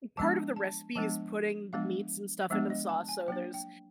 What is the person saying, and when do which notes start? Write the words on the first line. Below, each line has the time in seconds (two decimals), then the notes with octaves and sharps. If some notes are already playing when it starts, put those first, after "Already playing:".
part of the recipe is putting the meats and stuff into the sauce, so there's,
0.17 F3 G#3 B3 D4 A5
0.56 A5
0.95 F3 G#3 B3 D4 A5
1.73 F3 G#3 B3 D4 F5
2.50 F3 G#3 B3 D4 E5
2.70 D#5
2.89 A5
3.08 G#5
3.28 F#3 A#3 D4 G5
3.54 G5